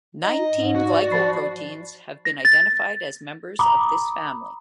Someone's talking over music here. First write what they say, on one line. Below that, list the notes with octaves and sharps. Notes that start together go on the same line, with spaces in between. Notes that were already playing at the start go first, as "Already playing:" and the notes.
Nineteen glycoproteins have been identified as members of this family.
D#4 D#5
G#2
F#4
D5
F3 B5 A6 C7
A#6
A6
A#5 B5 D6 D#6